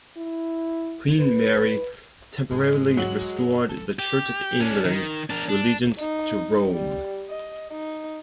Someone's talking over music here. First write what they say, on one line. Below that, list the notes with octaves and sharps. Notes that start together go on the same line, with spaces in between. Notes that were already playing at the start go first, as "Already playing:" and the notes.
Queen Mary temporarily restored the Church of England to allegiance to Rome.
E4
B4
G#2 G#3
F#3 F#7
F#2
F3 A4
G4
C#4 D4
D#3
D4 A#4
D4
D#4
G3
D#5
D#4